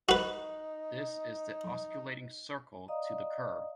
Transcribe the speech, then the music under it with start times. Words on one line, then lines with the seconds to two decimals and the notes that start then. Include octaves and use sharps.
This is the osculating circle to the curve.
0.09 D#4 F#4 B4
2.88 D5 D#5 F5 A#5 D#6